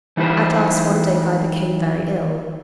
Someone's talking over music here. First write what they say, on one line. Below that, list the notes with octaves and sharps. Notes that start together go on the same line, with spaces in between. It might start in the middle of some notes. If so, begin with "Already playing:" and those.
At last one day Guy became very ill.
E3 D#4 F#4 B4 C5